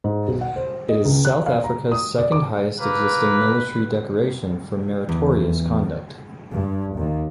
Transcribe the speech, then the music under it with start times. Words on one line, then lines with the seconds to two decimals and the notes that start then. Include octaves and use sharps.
It is South Africa's second highest existing military decoration for meritorious conduct.
0.04 G#2
0.28 B1
0.41 F#5
0.56 C5
0.89 D#5
1.05 C#2
1.25 F#6
1.46 F5
1.64 A#5
1.92 D#6
2.18 D5
2.32 D6
2.80 A#3 B4
5.09 E2
6.51 G2
6.95 D#2